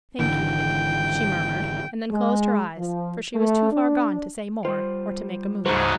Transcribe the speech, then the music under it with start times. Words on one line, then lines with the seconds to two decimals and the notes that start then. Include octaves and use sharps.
"Thank you," she murmured, and then closed her eyes, for she was too far gone to say more, or to make a move.
0.19 G#1 D3 E3 G5
2.10 G#3
2.77 F3
3.34 A3
3.71 D4
4.65 G3 F4 C5
5.66 D2 G#2 C#3 F#3 G#3 C5